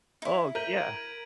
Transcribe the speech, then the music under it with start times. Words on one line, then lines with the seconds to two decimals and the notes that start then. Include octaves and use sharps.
Oh, yeah.
0.22 D#4 E4
0.55 A#4 G6 B6 D#7 F#7
0.78 G#6 D7